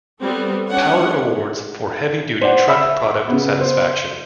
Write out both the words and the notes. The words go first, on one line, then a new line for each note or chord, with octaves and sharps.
Power Awards for Heavy Duty Truck Product Satisfaction.
G3 B3 C4 A4
C#4 D4 C#5 F#5
C5 D5 F#5
E5 B5 E6
C#3 B3
C5